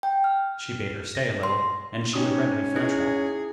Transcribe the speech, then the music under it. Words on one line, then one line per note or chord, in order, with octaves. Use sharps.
She bade her stay a little, and she would readily fetch one.
G5
F6
A#6
C6
C#4 D#4 G4 D#6
E4 G#4